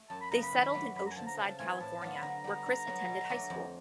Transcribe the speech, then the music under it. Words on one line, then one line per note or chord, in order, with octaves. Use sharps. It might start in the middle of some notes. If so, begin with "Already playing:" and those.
They settled in Oceanside, California, where Chris attended high school.
Already playing: A3
F#2 A5
B5
C#3 F#3 B3 A#5
B5
D#3
F#3 A3 D4
F#2 B5
A#5
G#5
D3 F3 A5
A#5
C#3 A5
E3 A3 C4 F4 G#5
A2 A5
F#3 B3 D4 F4
B5
D3 A#5
G3 B3
D3
F#3 B3
B2
F#3 A3 D4
F2